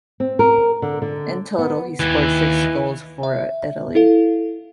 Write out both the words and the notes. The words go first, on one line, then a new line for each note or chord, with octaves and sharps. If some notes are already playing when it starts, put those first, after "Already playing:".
In total he scored six goals for Italy.
C4
A#4
D3
D3
B3
D#2 E3
E5
E4 A4 F5